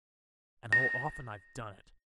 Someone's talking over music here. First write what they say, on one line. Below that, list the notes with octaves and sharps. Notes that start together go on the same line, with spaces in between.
And how often I've done it!
A#6